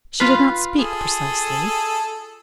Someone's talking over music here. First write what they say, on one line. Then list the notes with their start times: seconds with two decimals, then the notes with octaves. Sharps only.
She did not speak, precisely.
0.20 F4 B4
0.77 G#4 A4